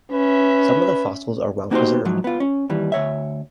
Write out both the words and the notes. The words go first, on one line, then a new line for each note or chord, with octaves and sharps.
Some of the fossils are well-preserved.
C#4 B4 E5
A#3 B3 D#4 F#4 G4 C5
G#2 F3 F#3
B3 F4
C#4
D#2 E3 G3
D2 C#5 E5